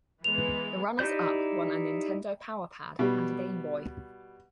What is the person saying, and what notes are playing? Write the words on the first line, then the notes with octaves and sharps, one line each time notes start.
The runners-up won a Nintendo Power Pad and a Game Boy.
E3 G#3 B3 F7
D#4 E4 G4 D5 G6
B2 G3